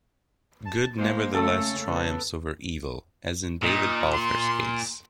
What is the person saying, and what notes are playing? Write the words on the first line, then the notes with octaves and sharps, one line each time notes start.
Good nevertheless triumps over evil, as in David Balfour's case.
A5
G#3 A#3 C5
C#3 A3 C#4 A4 E6
C#3 B3
A#2 D#4
C6